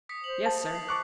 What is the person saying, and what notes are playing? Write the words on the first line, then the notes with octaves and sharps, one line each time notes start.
"Yes, sir."
D#6 B6 C#7
C5 F#7
A5
C7
A5 C#6 D6 F#6 C7 F#7